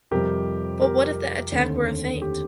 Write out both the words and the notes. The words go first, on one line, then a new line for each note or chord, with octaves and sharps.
But what if that attack were a feint?
F2 C3 G3 G4 A#4
G4 A#4
D#2 D3 A3 C4
G4